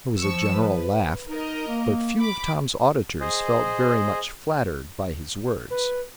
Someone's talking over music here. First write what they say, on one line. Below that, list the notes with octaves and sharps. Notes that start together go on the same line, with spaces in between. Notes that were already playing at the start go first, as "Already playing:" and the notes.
There was a general laugh, but few of Tom's auditors felt very much flattered by his words.
F3 C#6 E6
B4
D#4 A#4 D#5
A#3
B5 D6
G#4 C5 D#5
B4